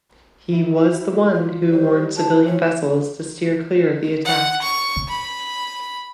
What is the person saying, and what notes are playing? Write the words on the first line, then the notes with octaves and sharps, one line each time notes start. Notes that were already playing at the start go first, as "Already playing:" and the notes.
He was the one who warned civilian vessels to steer clear of the attack.
E4
E4 F#4
F4
G3 C5
E3 A5
C#5
F#5
C#6
B5